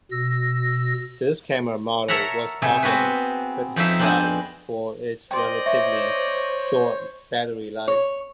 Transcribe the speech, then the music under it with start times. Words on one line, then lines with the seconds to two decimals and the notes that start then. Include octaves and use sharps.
This camera model was often criticized for its relatively short battery life.
0.11 B2 E6 A#6
2.08 A4 A#4 C#5 E5 F#5 A#5
2.62 C3 A3 G#4
2.83 B3 C4 F#4 G#4 B4
3.76 F2 F3 D#4 E5
3.99 B3 C4 D4 G#4 C5 D#5
5.31 C5 D5 D#5 G5 C6
5.66 C#5 E5
7.88 C#5